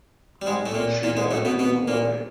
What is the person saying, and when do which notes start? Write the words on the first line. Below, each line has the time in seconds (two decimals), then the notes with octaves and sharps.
She died in Hawaii.
0.42 G3
0.46 G#2 G#3
0.66 A2 A3
0.74 A#2 A#3
1.03 A#2 A#3
1.17 G#2 G#3
1.31 A2 A3
1.45 B2 B3
1.59 B2 B3
1.88 A#2 A#3